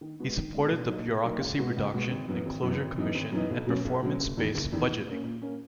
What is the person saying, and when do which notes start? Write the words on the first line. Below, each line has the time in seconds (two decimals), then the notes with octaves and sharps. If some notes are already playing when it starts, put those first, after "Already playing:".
He supported the Bureaucracy Reduction and Closure Commission and performance-based budgeting.
0.01 D#3
0.19 G#3 B3 F#4
0.36 D#3
0.54 G#3 B3 F#4
0.71 B2
0.89 F#3 A#3 D#4 A#4
1.06 B2
1.24 F#3 A#3 D#4 A#4
1.41 C#2
1.58 B2 G#3 B3 F#4
1.76 C#2
1.94 B2 G#3 B3 F#4
2.11 G#1
2.28 F#2 E3 B3
2.46 G#1
2.63 F#2 E3 B3
2.80 G#1
2.98 F#2 E3 B3 D#4
3.15 G#1
3.32 F#2 E3 B3 D#4
3.50 B1
3.67 B2 F#3 C#4
3.85 B1
4.03 B2 F#3 C#4
4.20 F#1
4.37 E2 D#3
4.55 F#1
4.72 E2 D#3
4.89 A#2
5.07 A#3 C#4
5.23 A#2
5.42 A#3 C#4